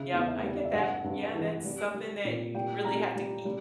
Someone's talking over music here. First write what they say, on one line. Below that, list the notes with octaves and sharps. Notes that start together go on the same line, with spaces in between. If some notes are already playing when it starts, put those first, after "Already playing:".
yep, I get that. Yeah, that's something that you really have to keep
Already playing: C#3 E5
E2
E5
G3
D5
E5
G2 F#5
G2
E3
G3
G3
A#2
G3 G5
G3 A#5
G3
G3